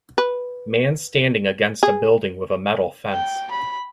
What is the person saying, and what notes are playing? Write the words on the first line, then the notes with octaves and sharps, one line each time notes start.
Man standing against a building with a metal fence.
B4
G#4
G5
B5